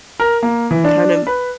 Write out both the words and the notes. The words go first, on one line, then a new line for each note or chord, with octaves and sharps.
kinda m
A#4
A#3
E3
D4
B4